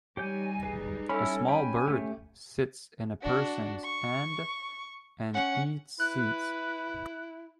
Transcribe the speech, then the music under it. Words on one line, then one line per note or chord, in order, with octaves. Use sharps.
A small bird sits in a person 's hand and eats seeds.
G3 D#4 G4 C#5 G#5 G6
G#4 B4
C#4 E4 A4 B5
G5 G#5 B5
A3 G4
D4 F#4
C#6
C#4 F#5
E4 B4 F#6